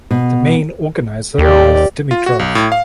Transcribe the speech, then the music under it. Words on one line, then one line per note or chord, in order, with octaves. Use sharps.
The main organizer was Dimitrov.
B2
D#2 G4 D5
F4
F#4
B1
A2
F5